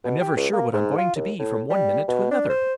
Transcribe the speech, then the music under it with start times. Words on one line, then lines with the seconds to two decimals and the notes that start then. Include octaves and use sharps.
I'm never sure what I'm going to be, from one minute to another!
0.04 B2
0.21 G4
0.37 C#2
0.53 A#3
0.73 G#2
0.98 F4
1.16 D#2
1.40 A2
1.70 G3
2.08 B2
2.31 D4
2.49 C5